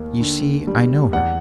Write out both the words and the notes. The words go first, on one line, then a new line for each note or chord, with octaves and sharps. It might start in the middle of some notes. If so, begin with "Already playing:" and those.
You see I know her.'
Already playing: D#2 A#3
D3
G3
E2 F#5